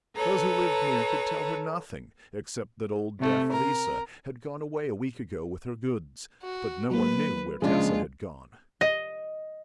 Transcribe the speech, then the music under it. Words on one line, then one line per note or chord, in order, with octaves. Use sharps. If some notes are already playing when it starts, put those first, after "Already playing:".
Those who lived near could tell her nothing except that old deaf Lisa had gone away a week ago with her goods, but no one knew where Tessa had gone.
A4 B4 C#5 A#5
C3 A3
A#4
F#4
F#3 A#3 B4
C#3 F3 G#3 D4 F4 G#4
D#5